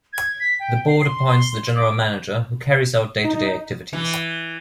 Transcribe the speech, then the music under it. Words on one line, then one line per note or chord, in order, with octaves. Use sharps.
The board appoints the general manager, who carries out day-to-day activities.
G#6
B6
G5
C7
C6
D6
D#4
E3